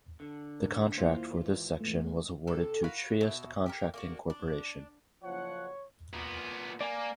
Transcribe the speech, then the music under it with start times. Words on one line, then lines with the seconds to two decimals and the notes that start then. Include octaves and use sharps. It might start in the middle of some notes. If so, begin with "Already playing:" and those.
The contract for this section was awarded to Triest Contracting Corporation.
0.20 D3
0.59 A1 G#2 A#4
0.98 G1 D#2 A#3 E4 F4 C5
1.43 G#2 E3
1.80 B1 E2 G#3 A3
2.47 C3 A4
2.84 F#4 A#4 B4 F5
3.21 B2 E5
3.66 G4 G#4 A#4
3.94 A#3 D4 F#4
4.30 D4
5.23 F#1 F3 C#5 F#5
6.14 A#2 B3
6.81 A#3 D5 G5 G#5